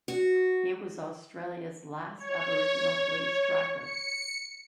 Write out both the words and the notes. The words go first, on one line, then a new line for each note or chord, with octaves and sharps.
He was Australia's last Aboriginal police tracker.
F#4
C#5
C#7